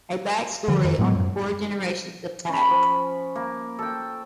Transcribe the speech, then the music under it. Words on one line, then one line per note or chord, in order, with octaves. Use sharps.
A back story on the four generations of tags.
D3 F3 G3
F2 D#3
A2 F#3 G#3 B3
F#2
C#4 B5
F3
A#3
A4 G5